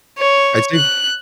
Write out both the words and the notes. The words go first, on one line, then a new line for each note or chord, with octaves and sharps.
I'd say
C#5
F#6